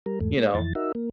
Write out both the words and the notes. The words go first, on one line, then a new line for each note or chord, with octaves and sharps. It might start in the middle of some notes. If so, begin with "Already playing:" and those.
you know,
G3 A#4
E2 G#2 A3
G#3
F2 E3 A6
D#4 F#4 A#4 E5
A#3